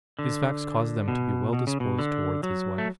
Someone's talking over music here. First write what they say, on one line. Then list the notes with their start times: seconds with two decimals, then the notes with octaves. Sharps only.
These facts caused them to be well disposed towards his wife.
0.19 D3
1.08 B2
1.53 B2
1.67 C#3
1.80 B2
1.99 D3
2.43 F#3
2.78 A3